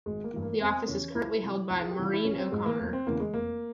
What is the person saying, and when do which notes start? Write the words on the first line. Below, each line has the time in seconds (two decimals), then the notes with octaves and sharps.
The office is currently held by Maureen O'Connor.
0.06 G#1 G#3
0.24 A#3
0.34 G2 E3
0.42 A#3
0.61 E1 C4
0.88 E2 C#3 E3 C#4
1.15 C#2 E4
1.43 C3 F3
1.70 C2
1.80 G#4
1.91 G4
1.97 C3 E3 F4
2.13 E4
2.25 A#1 C#4
2.38 C4
2.52 G#2 F3 G#3
2.66 A#3
2.79 E1 A#3
2.93 C4
3.06 E2 C#3 E3 A#3
3.20 G#3
3.34 F1 A#3